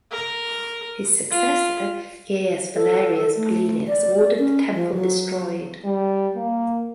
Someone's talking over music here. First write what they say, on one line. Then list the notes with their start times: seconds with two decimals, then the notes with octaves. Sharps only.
His successor Gaius Valerius Paulinus ordered the temple destroyed.
0.11 A#4
1.31 F4
2.75 A4
3.36 A3
3.87 D5
4.39 C#4
4.73 F3
4.94 F#3
5.85 G3
6.36 A#3